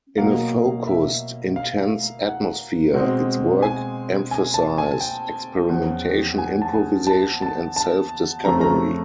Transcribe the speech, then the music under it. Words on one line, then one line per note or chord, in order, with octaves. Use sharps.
In a focused, intense atmosphere, its work emphasised experimentation, improvisation, and self-discovery.
B2 F#3 A#3 F5
E5
F5
F#5
B2 G#3 C4
G#5
G#5
A5
G#5
G5
E2 C#3 F3
G#5
A5
G#5
A5
A5
A5
F2 C#3 F3 A3 A#5
A#5